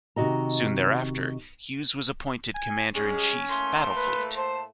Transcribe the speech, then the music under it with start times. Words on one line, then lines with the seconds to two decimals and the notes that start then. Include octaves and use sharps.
Soon thereafter, Hughes was appointed Commander in Chief, Battle Fleet.
0.16 C3 D#3 F#4 D#5 A#5
2.55 G#5
2.95 G3 G#3 C#4 G#4
3.49 A2 A3 A#3 C6
3.96 B4
4.37 C5 A5